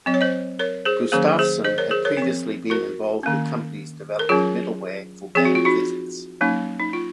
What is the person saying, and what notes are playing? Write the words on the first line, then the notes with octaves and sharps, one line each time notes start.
Gustafsson had previously been involved with companies developing middleware for game physics.
F#3 C4 D#5
C#5
C5 D#5
A#4 C#5
G#4 C5
D#3 F#3 A#3 C#4 G#4 C5
G#4 C5
C5 D#5
A#4 C#5
G#4 C5
A#4 C#5
F3 C4
F#4 A#4
D#3 A#3 C#4
A#4
F#3 C#4 F4 G#4
F3 C4 G#4
F#4
F4
D#4 F#4
F#3 A#3 C#4 D#4
D#4
F4